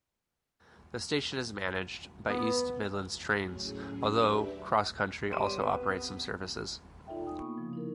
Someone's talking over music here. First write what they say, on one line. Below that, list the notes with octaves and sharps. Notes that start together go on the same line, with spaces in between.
The station is managed by East Midlands Trains although CrossCountry also operate some services.
B3
A2 F#3 C#4 G#4
F#3 D4 G4 B4 D5 E5
G3 B3 G4 C#5 C6 D#7
C3 B4
D#4 F4 A4 D5 E5 G5
G5 G#5 D#6
C3 A#3 B3 B5 C#6 D#6
C#3 F3
D#4 E4 A#4